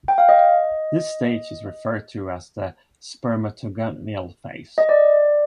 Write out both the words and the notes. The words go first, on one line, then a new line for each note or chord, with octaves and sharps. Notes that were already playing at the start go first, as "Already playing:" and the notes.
This stage is referred to as the "spermatogonial phase".
G5
F5
D#5
D#5
D5